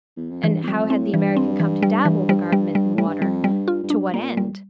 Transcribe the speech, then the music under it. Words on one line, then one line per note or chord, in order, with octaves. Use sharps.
And how had the American come to dabble the garment in water--to what end?
E2
F2
G2 E3
E2
F2 G3
A2 C4
G2 E3
C4
E3
G3
E3
G3
G3
G3
A2 G3
G2
F2 G3
G3
G2
F4
G2
D4
A#2 A#3
G3